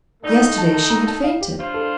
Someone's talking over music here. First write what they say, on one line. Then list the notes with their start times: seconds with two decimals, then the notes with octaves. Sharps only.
Yesterday she had fainted.
0.23 A2 A3 D#4 D5
0.40 F5
0.57 A5
0.73 A5
0.90 A#5
1.07 A5
1.24 F5
1.41 G4
1.57 G3 D4 F4 C5
1.74 A4